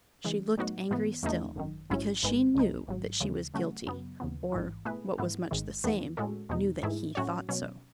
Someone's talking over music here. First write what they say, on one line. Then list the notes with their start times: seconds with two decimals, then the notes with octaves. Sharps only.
She looked angry still, because she knew that she was guilty, or, what was much the same, knew that he thought so.
0.24 C#3 E3 G#3
0.57 A2 F#3 B3 D#4 F#4
0.91 G#2 E3 B3
1.23 E2 C#3 E3 A3 D#4
1.56 G#1 F#2 D#3
1.90 A1 G#2 F#3 C#4 E4
2.23 G#1 G#2 D#3 G#3 B3
2.55 C#2 C#3 G#3 D#4
2.88 G#1 G#2 F#3
3.20 D#2 C#3 E3 G#3
3.54 C#3 F#3 A3 C#4 F#4
3.86 F#2 C#3 F#3 B3
4.20 D#2 C#3 E3 B3
4.52 A1 G#2 E3
4.85 B2 A3 E4 G#4 B4
5.18 G#2 E3 B3 E4
5.51 G#1 G#2 D#3 G#3
5.84 E2 D#3 G#3 B3
6.17 A2 G#3 C#4 F#4 A4
6.49 E2 B2 G#3 D#4
6.83 G#2 E3 A3 E4 G#4
7.15 A2 F#3 C#4 F#4 C#5
7.49 B2 F#3 C#4